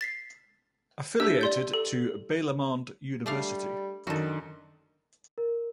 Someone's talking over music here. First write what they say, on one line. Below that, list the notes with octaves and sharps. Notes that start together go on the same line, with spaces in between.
Affiliated to Balamand University.
A6 B6 C7
D4 G4 E5 E6
D5 C6 G6
A4
G3 A3 D4 F5
F#2 D#3 D4 D#4 F#4 A4
A#4